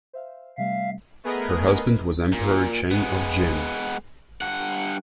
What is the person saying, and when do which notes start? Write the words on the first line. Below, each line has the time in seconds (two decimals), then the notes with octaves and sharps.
Her husband was Emperor Cheng of Jin.
0.13 C5 E5 F5
0.58 C3 G3 A3 E5 F5
1.24 A3 B3 G#4 A#4 B4 D#5
2.32 A#2
2.91 G#3 B3
4.41 G2 F#5